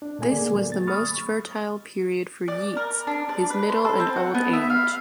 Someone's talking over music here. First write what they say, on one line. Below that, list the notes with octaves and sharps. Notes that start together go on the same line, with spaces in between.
This was the most fertile period for Yeats, his middle and old age.
D4
A#2 A3 G#5
D3 A#3 G#4 D5
F#3 A3 B3
A6
B5 C#6 D#6 F6 A6
D5
A#4
D4
D5
B4
C6
A4
C4
F#5
B3
E5
F5